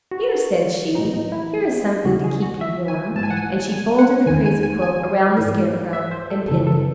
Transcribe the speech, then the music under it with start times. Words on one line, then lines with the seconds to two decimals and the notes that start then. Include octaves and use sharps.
"Here," said she, "here is something to keep you warm," and she folded the crazy quilt around the Scarecrow and pinned it.
0.11 F#4
0.95 E3 D#4
0.98 A2
1.14 D#4
1.32 E4
2.05 E2 C#3 E3 F#4
2.24 G#4
2.43 F#4
2.61 E5
2.88 G#5
3.16 G#2 E3 A5
3.23 G#5
3.30 F#5
3.37 G#5
3.72 G#5
3.99 F#5
4.26 E2 D#3 G#5
4.46 G#5
4.63 G#5
4.82 G#5
5.38 G#2 E3
5.93 E5
6.11 C5
6.30 A4
6.48 F#2 C#3 E3 A4
6.67 A4